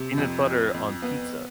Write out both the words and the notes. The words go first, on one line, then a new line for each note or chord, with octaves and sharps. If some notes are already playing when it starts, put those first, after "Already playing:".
Peanut butter on pizza?
Already playing: C3
F2
F2
F2
B3